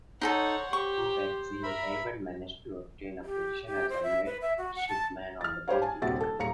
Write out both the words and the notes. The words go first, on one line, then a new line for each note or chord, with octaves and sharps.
Through Betsy, Hayward managed to obtain a position as a midshipman on the "Bounty".
D#4 G#4 A4 C5 C#5 F#5
G4 C#6
A#4 E5 B5
G4
G4
C5
E5
B4
E5
F#4
F#5
A5
F6 A6
G4 C5 C#5 F5
G#5 A5
D#1 A#1 C3 F#4 A6
A4
D#1 F5 A#5 C#7